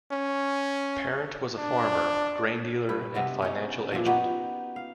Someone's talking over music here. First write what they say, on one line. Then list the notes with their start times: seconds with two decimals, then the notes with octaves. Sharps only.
Parent was a farmer, grain dealer and financial agent.
0.11 C#4
1.58 D4
2.89 G2 B4
3.14 G2 C3 B3 D#5
3.42 C#4 D#4
3.92 A#2 E3 F3
4.06 B3 D#4 F#4 G4
4.76 F5